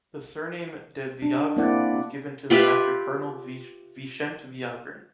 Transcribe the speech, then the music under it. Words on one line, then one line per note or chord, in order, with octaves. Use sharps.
The surname ‘de Villagrán’ was given to them after colonel Vicente Villagrán.
D4
A#3 C4 E4 D5 F#5
F4 G4 B4 E5